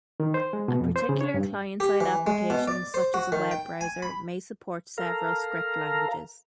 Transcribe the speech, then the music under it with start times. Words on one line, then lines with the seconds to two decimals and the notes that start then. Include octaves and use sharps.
A particular client-side application, such as a web browser, may support several script languages.
0.20 D#3
0.34 C5
0.53 G#3
0.68 B2
0.81 F2
0.96 C5
1.09 C#3
1.21 C#5
1.34 G2
1.80 G4
2.01 E3
2.27 G#3
2.50 B2
2.68 D5
2.94 C5
3.14 F#4
3.32 D#3
3.51 G5
3.81 G#5
4.03 B5
4.98 A4 A#4 F5 A#5